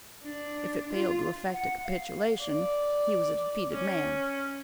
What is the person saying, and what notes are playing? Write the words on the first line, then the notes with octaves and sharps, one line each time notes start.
If it failed to effect a capitulation, he was a defeated man.
D4
F4
F#5
F5
D5
C#4